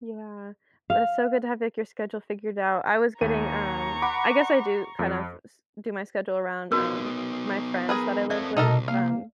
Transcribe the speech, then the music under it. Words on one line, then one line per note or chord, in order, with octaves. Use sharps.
Yeah. But it's so good to have, like, your schedule figured out. I was getting, um, I guess I do kind of s do my schedule around, um, my friends that I live with, um,
F5
D#2 A#5 C#6 D#7
F#5 B5 D6
F2
B3 D#4 F#4 A#4
G#4 A#4 B4
C4 A4 D5 E5
C2 B2 D#4 A4 A#4
A#3 F5